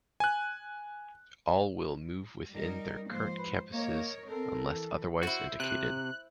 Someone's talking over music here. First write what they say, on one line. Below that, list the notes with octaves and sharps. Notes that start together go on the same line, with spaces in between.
All will move within their current campuses unless otherwise indicated.
G#5 F#6
G3 D#4 A#4
G#2 F3 A#3 C5
B4
A#3 A#4 C#5 D#5
C4 A4 A#4
E3
E4 F#4 C5
C3 F#6